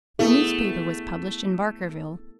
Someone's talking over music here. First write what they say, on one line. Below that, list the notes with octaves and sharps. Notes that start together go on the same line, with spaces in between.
A newspaper was published in Barkerville.
A3 B3 E4 G#4